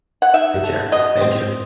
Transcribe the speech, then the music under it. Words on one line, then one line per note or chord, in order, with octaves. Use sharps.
Take care, thank you.
F#5
D#4 E5
A3
B2 D#5
C4